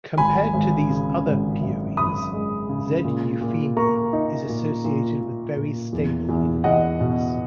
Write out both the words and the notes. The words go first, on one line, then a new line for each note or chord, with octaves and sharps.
Compared to these other pierines, "Z. eupheme" is associated with very stable environments.
G#1 G#5 B5
G#1
C#3
G#1
F#2
F#2 B5 D#6
G#3
C#3
A#2
A#2
A#3 A#5 C#6
D#4
A#2
A#2
A#2
A#2
E2
E2
E2 D#5 F#5
B2